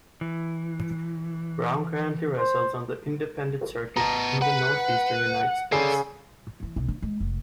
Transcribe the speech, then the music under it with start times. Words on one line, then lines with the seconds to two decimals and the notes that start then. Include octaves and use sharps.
Brown currently wrestles on the Independent circuit in the Northeastern United States.
0.21 E3
2.37 C5
3.97 B3 A5 A#5
4.42 B4 F#5
5.72 C#3 G#4 A4 D5 C7
6.63 E3
6.76 B1
6.88 D4
7.02 G#3
7.20 F1